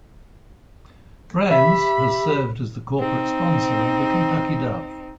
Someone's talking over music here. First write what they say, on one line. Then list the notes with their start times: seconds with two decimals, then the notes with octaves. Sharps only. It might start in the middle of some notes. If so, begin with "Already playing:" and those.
Brands has served as the corporate sponsor of the Kentucky Derby.
1.51 G4 E5 B5
2.99 C4 D#4